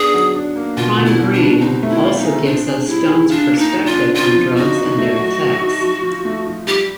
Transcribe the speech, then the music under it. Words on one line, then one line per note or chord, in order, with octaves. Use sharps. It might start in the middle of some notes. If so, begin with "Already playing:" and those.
"Prime Green" also gives us Stone's perspective on drugs and their effects.
Already playing: B3 D4 G#4
F#3
D4
A#3
B2 F4
B2
E4
B2
D4
G3
C4 D#4
A3
E4
F4
D#4
G#4
C4 D4
G#4
G3 E4
G#4
D4 F4
A#3
D#4
D4
F4
D4
C4 F4
F3
D#4 F#4
D#4
A3
F#3
F#3
D#4
F3
F3
A3
F3
G3 G4